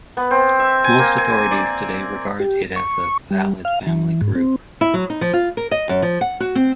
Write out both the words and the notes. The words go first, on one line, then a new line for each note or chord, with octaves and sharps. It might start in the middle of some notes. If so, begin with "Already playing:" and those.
Most authorities today regard it as a valid family group.
B3
C4
E5
G#5
A#3
G#5
D5
G4
C#6
G3
F5
E3
G#2
C4
E4
F#3
D#4
F3
F4
A#4
D#5
F#2
F3
F#5
F#4
C4